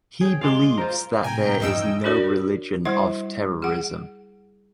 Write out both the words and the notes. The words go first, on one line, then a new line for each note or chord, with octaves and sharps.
He believes that there is no religion of terrorism.
G#4 C#5 G5
G#3 D5 F5 C6
F4 A#4 C5
A2 C3 A3 G5 G#5 A#5
E2 G2 F3 C#4 D#4 D#5 E6
D4 F#4 A4 A#4 C#5 D5
G3 E4 C5 F#5 C6
G#4 F#5